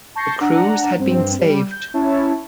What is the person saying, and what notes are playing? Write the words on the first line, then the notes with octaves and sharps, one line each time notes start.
The crews had been saved.
A5 C#6 G6 A#6 C7 C#7
D4 F#5 A#5
G2 C4
G3
G6
C#4 E4 C#5 E5 A5